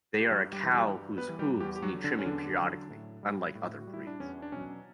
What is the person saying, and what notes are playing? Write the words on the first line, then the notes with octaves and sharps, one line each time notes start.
They are a cow whose hooves need trimming periodically, unlike other breeds.
G4
G2 F#3 F#4
G3 G4
E3 G3
F#4
G3 G4
G2
B3 B4
E3 G3
G3 G4
E2 G3 G4
G4
F#3 F#4
D3
F#3
D3 D4
C#4
E2 D3 D4
D3 F#3
A2
G3
A2
F#4
G3
E4
D4
E2 C#4
D4
B2 F#3 C#4